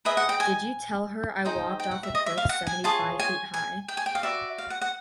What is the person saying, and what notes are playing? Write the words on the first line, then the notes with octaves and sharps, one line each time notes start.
Did you tell her I walked off a cliff seventy-five feet high?
G#4 B4 D#5 E5
F#5
G5
G#5
D#4 G#4 C5 G5
G5
F#5
E5
D#5
E5
F5
F#5
G#5
F4 G#4 C#5 A5
G#5
G#5
G5
G#5
G5
F5
F#4 B4 D5 E5
F5
F#5
F#5